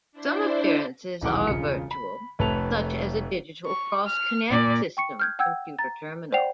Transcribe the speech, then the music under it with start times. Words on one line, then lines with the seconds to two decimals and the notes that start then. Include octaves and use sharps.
Some appearances are virtual, such as a Digital cross connect system computer terminal.
0.12 D4 E4 C5 D5
1.21 D#1 B1 E3 G#4 F#5 D6
1.47 E1 C#3 F4 C#7
1.91 B5
2.39 F1 A3 B4 C#5 A5 F7
3.66 C#6
4.07 F6
4.51 A#2 D5
4.97 G5 C#6 C#7
5.19 F6 G6 G#6
5.39 F#5 G5 E6 G6 G#6
5.79 A#5 A6
6.32 C5 D5 F#5 G5 C7 F7